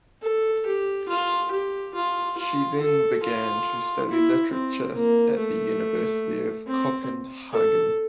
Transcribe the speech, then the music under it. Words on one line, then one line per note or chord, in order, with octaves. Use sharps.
She then began to study literature at the University of Copenhagen.
A4
G4
F4
G4
F4
F4
A4
F4
E4
C4
A#3
A3
C4
A4